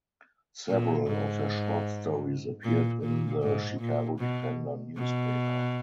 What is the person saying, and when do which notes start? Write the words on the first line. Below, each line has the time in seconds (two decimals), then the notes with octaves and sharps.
Several of her short stories appeared in the "Chicago Defender" newspaper.
0.68 A#2
1.07 G#2
2.63 A#2
3.02 A#2
3.42 G#2
3.80 A#2
4.19 B2
4.97 B2